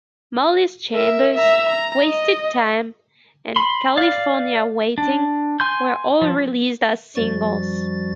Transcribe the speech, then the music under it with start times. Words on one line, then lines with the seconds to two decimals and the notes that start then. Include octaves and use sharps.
"Molly's Chambers," "Wasted Time" and "California Waiting" were all released as singles.
0.93 A#4 E5
1.34 E5 A#5
1.69 A#5
2.05 D#5
3.56 B5 C6
3.97 D5 F5
4.98 D4
5.60 G#5 C6 G6
6.22 F3
7.16 F#2 F3 G3 F#4 A6